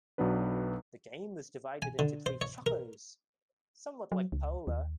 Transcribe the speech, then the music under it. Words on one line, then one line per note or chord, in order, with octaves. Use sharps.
The game was divided into three "chukkers", somewhat like polo.
B1 F#3 B3 D4 B4
G#5
D3
C5
C#5
A#4
F#3
C#2
D#2